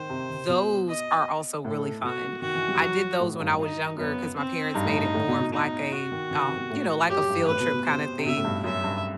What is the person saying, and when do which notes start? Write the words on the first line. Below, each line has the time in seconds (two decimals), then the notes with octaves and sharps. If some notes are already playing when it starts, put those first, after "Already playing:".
Those are also really fun. I did those when I was younger, 'cause my parents made it more of like a, um, you know, like a field trip kinda thing,
Already playing: D#3 C5
0.10 C3
0.48 B2
0.87 D#5
1.65 A2 A4
2.03 B2 F#4
2.42 D#3 F#4
2.55 E3
2.68 G3
2.75 E3
2.81 F#3
3.20 A2
3.40 G2
3.59 D#4
3.98 F#2 B3
4.37 C4
4.75 G2 D#4
4.85 A2
4.96 G2
5.14 A2
5.28 B2
5.40 B2
5.54 D#4
5.92 F#4
6.12 D#3
6.31 D#3
6.44 C3
6.57 B2
6.70 A2
7.09 F#2 G4
7.29 G2
7.43 G2
7.48 A2 B4
7.60 B2
7.74 B2
7.87 C3 C5
8.19 C3
8.26 B2 E5
8.37 A2
8.45 G2
8.64 F#2 E5
8.84 G2